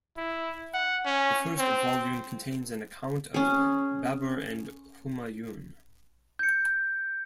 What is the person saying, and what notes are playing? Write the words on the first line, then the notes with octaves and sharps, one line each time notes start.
The first volume contains an account of Babur and Humayun.
E4
F#5
C#4
C4
C#4 G#4
G6 C#7